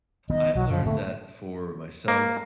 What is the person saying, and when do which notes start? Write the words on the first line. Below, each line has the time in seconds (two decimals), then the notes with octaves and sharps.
I've learned that for myself
0.30 D#3 B3 D#5
0.55 B1 F#3
0.70 F#2 D3 F3
0.85 A2 D3 E3 A3
2.08 A#3